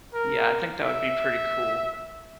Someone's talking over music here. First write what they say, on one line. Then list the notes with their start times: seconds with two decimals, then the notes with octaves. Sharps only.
Yeah, I think that would be pretty cool.
0.14 A#4
0.83 E5